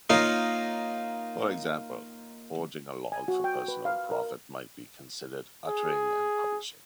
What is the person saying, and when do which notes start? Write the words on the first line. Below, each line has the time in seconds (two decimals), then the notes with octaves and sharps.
For example, forging a log for personal profit might be considered uttering and publishing.
0.10 A#3 D#4 F4 A#4 C#5
3.12 G#5
3.28 F#4
3.44 G5
3.68 B4
3.85 F5
4.11 A#4
5.68 G#4